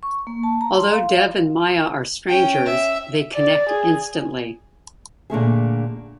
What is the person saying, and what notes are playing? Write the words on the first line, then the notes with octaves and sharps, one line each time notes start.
Although Dev and Maya are strangers, they connect instantly.
C#6
A#3
A5
A#5
C6
F5
F5
C#4 G5
E5
D5
G#4
A#2 D3 A3 G#4